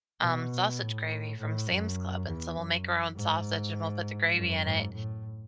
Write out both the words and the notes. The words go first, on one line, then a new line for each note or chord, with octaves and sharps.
um, sausage gravy from Sam's Club. And so, we'll make our own sausage, and we'll put the gravy in it.
B2
A2
A2
F#2
E2
F#2
G#2
F#2
G#2
A2